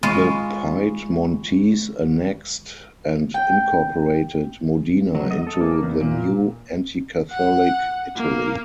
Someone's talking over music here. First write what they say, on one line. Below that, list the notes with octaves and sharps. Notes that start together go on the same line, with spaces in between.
The Piedmontese annexed and incorporated Modena into the new, anti-Catholic Italy.
G#3 F4 B5 C#6
G5
F#3
D#5
A4
A#3
E2
A#2
F#5
A#3